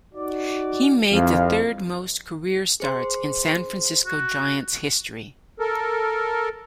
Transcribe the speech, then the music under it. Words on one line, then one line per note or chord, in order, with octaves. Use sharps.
He made the third most career starts in San Francisco Giants history.
D#4 F#4 D5
C2 F2 E4 F5
G#4 C5 C6
F#4
A4 A#4